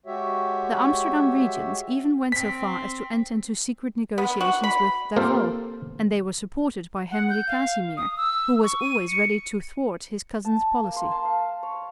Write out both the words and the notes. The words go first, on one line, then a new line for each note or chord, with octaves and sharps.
The Amsterdam regents even went so far as to enter into secret negotiations with D'Avaux; and they were supported by Henry Casimir, who was always ready to thwart his cousin's policy.
G#3 F#4 G4 C#5 E5
C4 B6
B3
F#4
B5
A#3 C4 F4 G4 A4 F5
F#5
G6
F5
D#6
E6
C#6
D#7
C#7
A5
A#3
C6
A5
F5
C#5